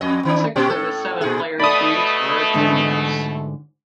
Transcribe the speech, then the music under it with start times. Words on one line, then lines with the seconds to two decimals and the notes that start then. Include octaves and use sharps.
Six of the seven players used were juniors.
0.01 F2 D#5
0.25 D#3 D4
0.56 A#2 C#4 G4
0.70 A2 A4
1.21 A#2 D#4 G#4
1.59 B2 A3 D5 B5 D#6
2.54 G#2 D3